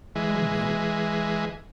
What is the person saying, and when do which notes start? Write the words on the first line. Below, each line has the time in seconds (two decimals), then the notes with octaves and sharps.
"Oh no."
0.16 E3 G#3